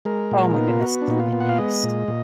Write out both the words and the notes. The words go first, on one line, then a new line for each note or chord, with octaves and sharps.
Oh my goodness, beignets.
G#3 A#4
A#2
B3 D#4
F4
B3 F#4
D4
A#2 D#4
F4
B3
F#5
F5
G#3 D#5
A#2
A#2